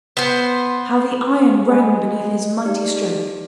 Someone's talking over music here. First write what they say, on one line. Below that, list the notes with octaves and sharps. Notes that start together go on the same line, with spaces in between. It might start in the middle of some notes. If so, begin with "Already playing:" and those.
How the iron rang beneath his mighty stroke!
B3 C5
G#3 G#4
D#4 G4 D5